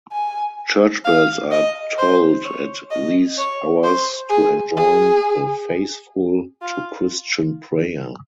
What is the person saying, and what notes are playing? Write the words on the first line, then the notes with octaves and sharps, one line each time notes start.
Church bells are tolled at these hours to enjoin the faithful to Christian prayer.
G#5
F5
D#5
C5
C#5
D#5
C#5
C5
G#4
G#4
F4